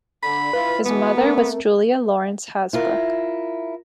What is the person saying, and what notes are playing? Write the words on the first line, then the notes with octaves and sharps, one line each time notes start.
His mother was Julia Lawrence Hasbrouck.
D3 B5
E4 F4 B4
B2 E3 B3
A3 C4 A#4
E4 F4 A#4